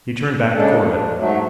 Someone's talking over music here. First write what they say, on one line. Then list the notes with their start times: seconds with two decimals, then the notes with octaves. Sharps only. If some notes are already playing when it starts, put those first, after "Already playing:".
He turned back to Corbett.
0.54 C#3 G#3 D4 A4
1.16 G#2 F#3 A3